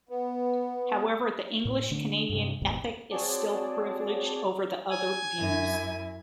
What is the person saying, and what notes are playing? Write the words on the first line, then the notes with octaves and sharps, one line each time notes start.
However, the English Canadian ethic is still privileged over the other views.
B3
A2
D3 A3 D4
G2 C3
F#1 D#2 G#2 B2
C4 F#4 G#4 C#5 D5 A5
G#5
F#2 E4